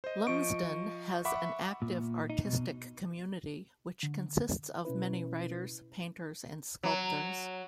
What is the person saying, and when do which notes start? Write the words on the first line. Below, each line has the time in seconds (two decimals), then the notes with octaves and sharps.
Lumsden has an active artistic community, which consists of many writers, painters and sculptors.
0.04 C5 D#5
0.27 F3 D#5 C#6 D7
1.25 E5 F#5 B5 C#6 D6
1.82 A#2
2.30 D#4
2.45 B2
4.03 D3
4.85 B2 C#4 E4 B4
6.83 F#3